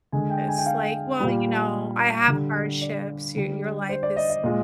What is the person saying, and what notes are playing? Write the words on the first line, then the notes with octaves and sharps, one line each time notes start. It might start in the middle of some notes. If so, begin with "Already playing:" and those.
uses. Like, "Well, you know, I have hardships. Your your life is,
D3 G#3 G#5
G5
G#5
G5
F5
A#2 G3
D3 G3
D5
D3 G3
C5
D5
D#5
D#5
A#2 G#3